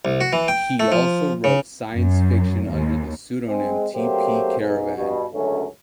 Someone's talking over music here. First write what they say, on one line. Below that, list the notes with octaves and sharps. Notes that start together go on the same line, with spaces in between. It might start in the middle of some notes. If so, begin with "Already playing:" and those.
He also wrote science fiction under the pseudonym T. P. Caravan.
C2
F#4
E3
G5
A3
F3
C#3
F#2
D#2
G#3 C4
F#3 A3 A#3 C4 G4 C5
B1 G#2
G2 B2
C#2 F#2 D3 F#3 A3 C#4